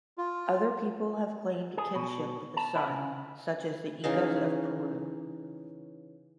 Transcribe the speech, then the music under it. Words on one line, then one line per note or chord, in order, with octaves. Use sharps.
Other people have claimed kinship with the sun, such as the Incas of Peru.
F4
G#4
B2
A5
E4
C#3
C#3 E3 D#4 F5